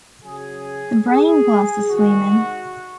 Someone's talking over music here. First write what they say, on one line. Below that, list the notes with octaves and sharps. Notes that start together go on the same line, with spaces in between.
His brain was swimming.
C#3 F#3 G#4
G#4
C3 D#3 G#3 F#4